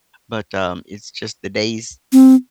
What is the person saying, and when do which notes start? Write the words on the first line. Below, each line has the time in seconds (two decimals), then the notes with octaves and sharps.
but, um, it's just the days,
2.12 C4